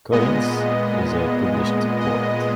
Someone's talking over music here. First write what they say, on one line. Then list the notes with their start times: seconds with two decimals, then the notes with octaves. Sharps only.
Collins is a published poet.
0.12 A#2 G#3 B3 D#5
2.00 D#5